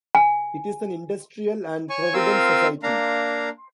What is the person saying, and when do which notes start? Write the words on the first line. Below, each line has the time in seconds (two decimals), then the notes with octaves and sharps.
It is an industrial and provident society.
0.15 G#5
1.90 C#5 G#5 C#6
2.14 C4 F4 A#4 F5 E6
2.83 A#3 D4 F5 A#5